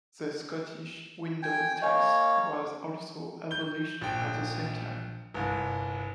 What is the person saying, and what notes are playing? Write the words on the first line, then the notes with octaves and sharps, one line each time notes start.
The Scottish window tax was also abolished at the same time.
G5 G#5
A#3 C#5 D#5 G#5
G6 G7
A#1 G5
G1 C2